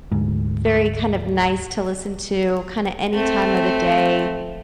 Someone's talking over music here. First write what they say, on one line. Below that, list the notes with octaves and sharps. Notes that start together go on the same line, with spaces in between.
very kind of nice to listen to kinda any time of the day,
D2 G#2
A3 C4